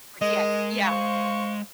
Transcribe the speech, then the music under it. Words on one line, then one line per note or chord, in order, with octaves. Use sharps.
RTX, yeah.
G#3 A#4 D#5
C5 F5 C#6